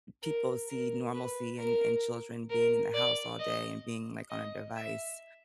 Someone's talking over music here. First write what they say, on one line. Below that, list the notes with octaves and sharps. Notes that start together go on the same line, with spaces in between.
people see normalcy and and children being in the house all day and being, like, on a device,
A#4
A#4
B4
A#4
A#4
D5
D#5
D#5
E5